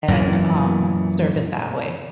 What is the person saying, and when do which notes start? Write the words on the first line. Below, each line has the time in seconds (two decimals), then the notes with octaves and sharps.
and, um, serve it that way.
0.08 F#2 A#2 E3